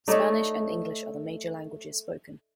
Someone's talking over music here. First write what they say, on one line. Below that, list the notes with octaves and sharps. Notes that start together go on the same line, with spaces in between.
Spanish and English are the major languages spoken.
A3 D#4 C#5 D5